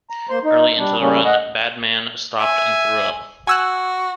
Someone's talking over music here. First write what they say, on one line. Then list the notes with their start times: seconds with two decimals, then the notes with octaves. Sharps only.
Early into the run, Badmann stopped and threw up.
0.10 A#5
0.30 A#3 C5 C6
0.44 D#4
0.78 G3 D4
1.00 C#3 G3 A#3 C#4
1.25 D#5 F#5
2.40 E5 G#5
3.47 F#4 G#5 E6 F#6